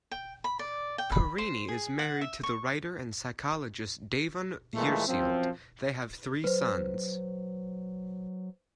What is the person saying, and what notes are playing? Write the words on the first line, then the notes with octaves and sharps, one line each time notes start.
Parini is married to the writer and psychologist Devon Jersild; they have three sons.
G5
B5
D5
G5
B5
C5
G#4
F#5
E5
C#6
A#2 E3 G#3 A3
F#2 F3 C4
F#3 B4 C5